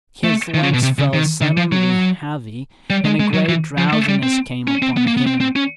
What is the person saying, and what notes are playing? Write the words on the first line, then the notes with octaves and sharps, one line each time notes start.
His legs felt suddenly heavy and a great drowsiness came upon him.
A3
D#3
C#3
B2
C3
C#3
D#3
D3
F3
F#3
G3
G#3
G#3
F#3
E3
F3
A3
G3
C4
C#4
C4
B3
A#3
B3
C4
C4
C#4